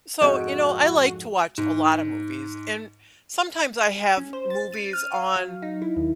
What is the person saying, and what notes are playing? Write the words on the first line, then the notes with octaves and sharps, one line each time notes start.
So, you know, I like to watch a lot of movies, and sometimes I have movies on
F2 G#2 F#4 D#5
G#2
C#4
C5
A6
D#7
F6
F5
F#3
D#4
E4
D#2